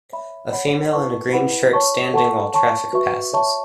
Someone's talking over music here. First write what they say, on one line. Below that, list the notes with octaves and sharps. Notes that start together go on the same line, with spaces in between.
A female in a green shirt standing while traffic passes.
C#5 E5 B5
C#5 F#5 B5
E4 B4 A5 C#6
E4 B4 F#5 B5
C#5 A5 C#6
A4 F#5 A5 C#6
C#5 A5 C#6
F#4 B4 E5 C#6
C#5 E5 A5 C#6